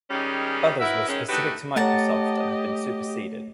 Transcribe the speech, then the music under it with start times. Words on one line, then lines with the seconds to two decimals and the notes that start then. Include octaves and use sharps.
Others were specific to Microsoft and have been superseded.
0.10 D#3 G3 G#3 C#4
0.80 E4 F#4 A#4 B4 E5
1.08 D#3 G#3 C#4
1.29 A3 D4 D#4 F#4 G4 B4
1.76 A3 G4 C#5 D#5 F#5 A5 A#5